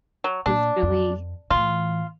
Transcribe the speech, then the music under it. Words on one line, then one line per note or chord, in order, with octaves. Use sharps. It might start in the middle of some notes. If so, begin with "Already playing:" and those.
is really
F#3
A#2 D4
F2
A2 E3 F4